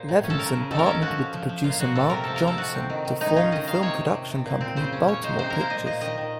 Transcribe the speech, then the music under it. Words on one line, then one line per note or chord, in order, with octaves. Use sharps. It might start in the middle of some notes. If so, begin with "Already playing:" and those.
Levinson partnered with producer Mark Johnson to form the film production company Baltimore Pictures.
Already playing: A#2 C5
A2
C#4
A4
C#3 A#4
C#3
D#3 A4
A#4
C#4 A4
F3 F#4
F3
F3
F3
A#2 F4
A#2 F#4
C3 A4
C3 A#4
F3 A4
A#4
F3
A4
C3 F#4
C4
D#3
D#3
A2 D#4
C#4 F4
D#3 D#5
D#3 F5
C3 C#5
C3
C3
C3
A#2
C4
C#3 C5
C#4
C#3 C#5
D#4 C5
C3 C5
A#4
A#3 C5
A#2 D#5
A#2 D#5
D#3 D#5
D#3